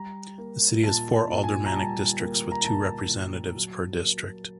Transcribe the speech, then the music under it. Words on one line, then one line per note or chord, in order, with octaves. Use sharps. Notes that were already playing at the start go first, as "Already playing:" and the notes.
The city has four aldermanic districts with two representatives per district.
Already playing: G3 A#5
A#3
A#2 A5
A5
A#2
G#5
A#5
G3 A5
A#3
A#5
A#2 A5
A#2
F#3
A#3